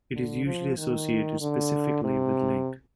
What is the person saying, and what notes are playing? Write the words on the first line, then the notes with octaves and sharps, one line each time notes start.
It is usually associated specifically with Link.
D3
F3
D#3
D3
C3